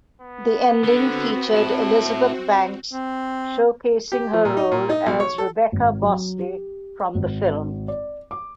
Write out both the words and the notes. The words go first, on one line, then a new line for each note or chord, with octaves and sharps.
The ending featured Elizabeth Banks showcasing her role as Rebekah Bosley from the film.
B3
D3 C4 F#4
E4 A5
C4
G4
F3
A#2
D#4
A#2
D#4
B1
C#5
A4
G#1
F#3
G4
G#1
D5
D6